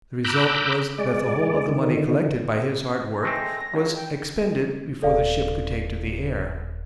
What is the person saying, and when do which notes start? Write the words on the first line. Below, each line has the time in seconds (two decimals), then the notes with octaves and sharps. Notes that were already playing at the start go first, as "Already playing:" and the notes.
The result was that the whole of the money collected by his hard work was expended before the ship could take to the air.
0.24 A#5 B5 D6 E6 F#6 G6
0.98 G#3 D5
1.69 D3 D#3
3.23 G#3 A3 C4 A#6
3.74 C#2
3.96 G5
5.02 D#1 A4 D5 F5